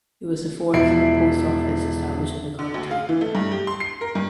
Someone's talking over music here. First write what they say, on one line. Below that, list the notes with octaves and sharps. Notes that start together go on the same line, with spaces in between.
It was the fourth post office established in the county.
E1 F3 E4 E5 C7 D7
D3
D2
F5
E3
A3
G2
G4
C6
C7
A#4
G2